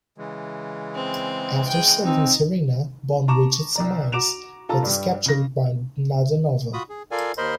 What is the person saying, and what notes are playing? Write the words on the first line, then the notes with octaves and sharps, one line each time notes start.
After saving Serena, Bond reaches the mines, but is captured by Nadanova.
C#3 E3 G#3
C4
G#4 G5
C4 D#4
A5 A#5 C#6 D6 E7
C2 D5 A#5
F#4 A#5 D6 D7 E7 F7
F4 A4 A5 A#5
G2 G3
C#3 A#6
F4 F#4 B5 D#6
G#4
F4 A4 A#4 D5 F5 G#5
D#2 A#4 C5 D#5 B5 C6